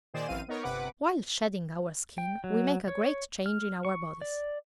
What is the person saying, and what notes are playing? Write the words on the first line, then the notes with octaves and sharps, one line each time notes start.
While shedding our skin we make a great change in our bodies.
A#2 D#3 G#4 C5 D5 E7
A1 F#2 E3 C4 F5 D#7
B3 D#4 A#4 C#5
G1 C3 B4 F#5 D6
G5
F#3
C#5
F6
C#6
D5